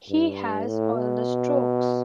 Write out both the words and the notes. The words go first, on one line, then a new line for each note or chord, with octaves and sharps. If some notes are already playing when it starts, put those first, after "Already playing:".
He has all the strokes.
G2
A2
B2